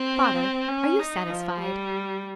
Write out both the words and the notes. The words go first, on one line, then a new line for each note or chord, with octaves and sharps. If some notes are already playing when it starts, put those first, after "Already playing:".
"Father, are you satisfied?"
Already playing: C4
C#4
D#4
F3
G3